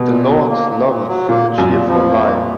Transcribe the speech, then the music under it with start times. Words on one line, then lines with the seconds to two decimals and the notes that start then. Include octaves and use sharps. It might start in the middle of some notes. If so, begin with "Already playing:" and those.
The Lord loveth a cheerful liar.
Already playing: B2
0.09 A#2
0.29 F#3
0.48 A#3
0.68 A#2
0.88 A#2
1.08 F#3
1.28 A#2 A#3
1.48 A#2
1.58 F#2
1.68 A#2
1.88 F2 F3
2.08 A#3
2.28 A#2